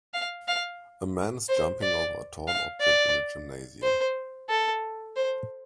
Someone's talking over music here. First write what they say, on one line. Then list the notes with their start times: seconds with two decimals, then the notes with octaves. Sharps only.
A man is jumping over a tall object in a gymnasium.
0.14 F5
0.48 F5
1.49 C5
1.82 D5
2.48 F5
2.81 D5
3.83 C5
4.49 A4
5.16 C5